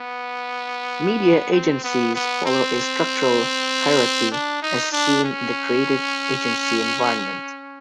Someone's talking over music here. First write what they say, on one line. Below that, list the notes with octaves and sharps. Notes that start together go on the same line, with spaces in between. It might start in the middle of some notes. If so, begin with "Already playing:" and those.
Media Agencies follow a structural hierarchy as seen in the creative agency environment.
Already playing: B3
C4
B3
B3
C4
D4
D#4
D4
C#4